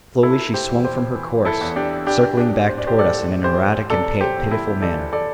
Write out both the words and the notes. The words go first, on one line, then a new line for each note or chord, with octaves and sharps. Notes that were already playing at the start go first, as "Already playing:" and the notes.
Slowly she swung from her course, circling back toward us in an erratic and pitiful manner.
C3 E4 A4
G4 C5
E2
G4 C5
E3
E4 A4
E2
D4 G4
E3 D4 G4
D4 G4
A2
C5
D5
G4 C5
A2 A4 D5
E3 G4 C5
C3 A4 D5
G4 C5
E2
E4 A4
E3 A4 D5
A4 D5